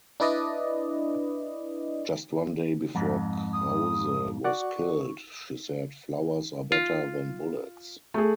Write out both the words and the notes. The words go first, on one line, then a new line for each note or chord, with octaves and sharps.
Just one day before Krause was killed, she said "flowers are better than bullets".
D4 E4 B4 D5 D#5
F2 G#2
D#6
F#4 D5 F#5 C#6
F4
A3 G#4